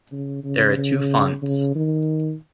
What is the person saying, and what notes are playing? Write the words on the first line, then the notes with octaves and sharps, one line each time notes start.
There are two fonts.
C#3
C#3
C#3
C#3
D#3